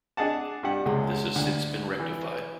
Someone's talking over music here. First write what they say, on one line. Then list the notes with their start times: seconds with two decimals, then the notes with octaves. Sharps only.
This has since been rectified.
0.17 D4 G#4 D#5 F#5 A5
0.63 G2 G4 F#5
0.85 C#2 F#2 G#3
1.35 D2
1.99 E3